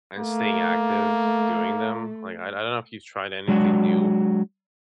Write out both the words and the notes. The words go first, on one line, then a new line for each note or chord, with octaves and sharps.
and staying active doing them. Like, I d I don't know if you've tried anything new,
A3 A#3
F#3 G#3 D4 F#4